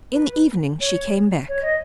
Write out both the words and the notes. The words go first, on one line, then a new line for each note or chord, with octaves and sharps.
In the evening she came back.
B4
C#5
C#5
D#5